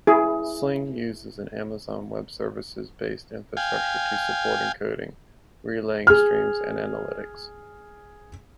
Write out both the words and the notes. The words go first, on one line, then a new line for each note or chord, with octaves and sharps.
Sling uses an Amazon Web Services-based infrastructure to support encoding, relaying streams and analytics.
E4 G#4
F5 G5 G#5
G#4 F6